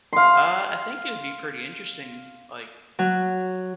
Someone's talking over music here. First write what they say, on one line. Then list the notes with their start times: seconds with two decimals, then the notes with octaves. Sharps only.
Uh, I think it would be pretty interesting, like,
0.13 F5 C6
2.99 F#3